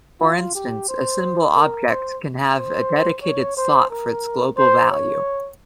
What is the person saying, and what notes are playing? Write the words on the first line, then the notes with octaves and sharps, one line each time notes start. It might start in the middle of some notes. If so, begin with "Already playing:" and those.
For instance, a symbol object can have a dedicated slot for its global value.
F4
G4
C5
A#4
C5
C5
C#5
C5
A#4
C5
C#5